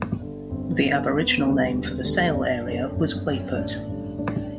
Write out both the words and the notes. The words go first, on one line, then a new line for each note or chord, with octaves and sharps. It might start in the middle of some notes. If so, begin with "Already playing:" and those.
The Aboriginal name for the Sale area was Wayput.
Already playing: G1
G2 D3
G1 C4
B3
G2 D3
B3
E1 C4
B3
C4
D2 D3 G3
E1
D2 D3 G3
G1 D4
F#2 D3
G1
F#2 D3
A1 D4
G2 D3
A1 D4